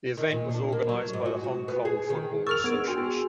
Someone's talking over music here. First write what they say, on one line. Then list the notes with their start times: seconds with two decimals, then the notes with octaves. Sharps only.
The event was organized by the Hong Kong Football Association.
0.17 D#3
0.32 A#2
0.50 D4
0.72 A#3
0.89 F#3
1.13 G#2
1.25 F#4
1.44 F#4
1.68 B3
1.85 G#4
2.10 D#3
2.47 A#4 C#6 E6 F6 A6 F7
2.64 B3 D4 G#4 G#6 D7
2.87 F#4 G5 G#5 C6